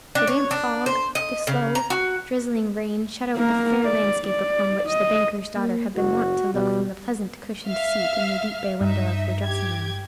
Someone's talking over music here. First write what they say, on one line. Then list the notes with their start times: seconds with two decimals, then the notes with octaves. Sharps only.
The damp fog, the slow, drizzling rain shut out the fair landscape upon which the banker's daughter had been wont to look from the pleasant cushioned seat in the deep bay-window of her dressing-room.
0.15 D4
0.27 C#5
0.51 D4
0.86 C5
1.15 D#5
1.47 C#3
1.75 A#5
1.90 F#4
3.36 A#3 A#4
3.84 D5
4.28 D5
4.89 D#5
5.56 A#3
5.96 F#1 F#4
6.54 B2 G3
7.67 E5 F5 F6
8.81 G2 D#4 E5
9.44 G4 G#6